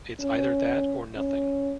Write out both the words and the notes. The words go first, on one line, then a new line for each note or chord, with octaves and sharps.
It’s either that or nothing.
C#4
C#4